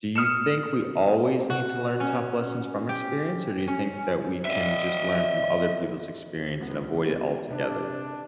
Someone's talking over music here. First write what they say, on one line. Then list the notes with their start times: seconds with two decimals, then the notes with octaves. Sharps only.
do you think we always need to learn tough lessons from experience, or do you think that we can just learn from other people's experience and avoid it altogether?
0.16 D#6 F6 C#7 E7
1.50 F#4
2.00 C#4
2.89 G4
3.68 C#4
4.45 D#5 E5
6.60 C#2 B3
7.50 C3 D4